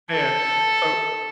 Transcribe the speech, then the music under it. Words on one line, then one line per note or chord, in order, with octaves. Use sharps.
And, so
A4